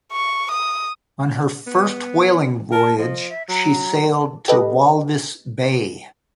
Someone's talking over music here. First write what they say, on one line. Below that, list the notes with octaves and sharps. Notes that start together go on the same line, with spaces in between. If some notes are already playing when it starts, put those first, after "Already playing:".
On her first whaling voyage she sailed to Walvis Bay.
C#6
D#6
B3
A#4 A5
F3 D#5
E5
F#3 A#5
G4 A4 B4 D#5